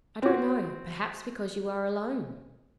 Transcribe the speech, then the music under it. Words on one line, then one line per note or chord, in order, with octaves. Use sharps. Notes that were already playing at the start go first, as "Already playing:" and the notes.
"I don't know; perhaps because you are alone."
C4 F#4